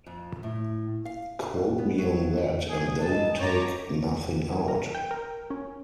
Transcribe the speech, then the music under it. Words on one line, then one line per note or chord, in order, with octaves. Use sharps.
Quote me on that and don't take nothing out.
F2
A2
F5
D4
B3
F#3
G#4
A4 D#5 F#5 A5
C4 C#5 A#5 D6
F#3
A#4
G5
A#4
C#4